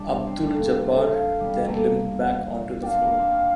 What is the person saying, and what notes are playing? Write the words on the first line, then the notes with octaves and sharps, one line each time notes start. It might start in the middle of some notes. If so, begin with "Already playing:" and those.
Abdul-Jabbar then limped back onto the floor.
Already playing: G3 D4
C4
A3
A#3
A3
F5
G3
A3 A#3
D4 F5 G5
C4
A#3
C4